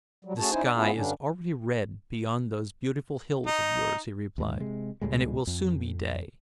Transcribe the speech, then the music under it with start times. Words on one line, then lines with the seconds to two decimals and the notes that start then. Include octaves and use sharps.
"The sky is already red beyond those beautiful hills of yours," he replied, "and it will soon be day."
0.25 F#3 G3
0.39 A3 C#4 F#4 G#4 A5
0.51 C#4 D#4 E4 C5 G#5
0.62 D4 D5
0.76 B3 C#4 E4 F4 G#4
0.94 G2 D3 G3 C#4 D4
3.47 D#4
4.38 D#2 G#2
4.59 C3 G#3
5.02 C#2 A2 G3 G#3
5.47 F2